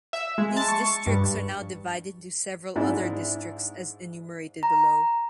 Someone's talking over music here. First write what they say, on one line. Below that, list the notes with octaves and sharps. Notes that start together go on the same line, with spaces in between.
These districts are now divided into several other districts as enumerated below.
E5
G#3
A5
C#6
G2
G#2 D4 E4
A#5